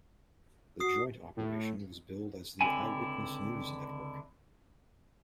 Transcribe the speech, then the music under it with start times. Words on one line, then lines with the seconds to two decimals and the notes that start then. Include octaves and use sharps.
The joint operation was billed as the "Eyewitness News Network".
0.80 F#4 D#6 C7
1.36 A2
2.61 C#2 D3 E3 C4 E4 G#5